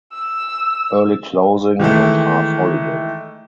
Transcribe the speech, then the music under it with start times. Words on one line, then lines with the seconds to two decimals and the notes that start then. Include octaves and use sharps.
Early closing and half holiday.
0.13 E6
1.79 D#3 E3 G#3 A3